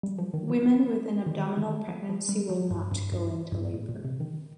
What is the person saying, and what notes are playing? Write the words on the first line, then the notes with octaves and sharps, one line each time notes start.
Women with an abdominal pregnancy will not go into labor.
G3
F3
D#3
F3
F3
D#3
D#3
F3
F3
G3
F3
G2
G2
G2
G2
A2
A#2
C3
D#3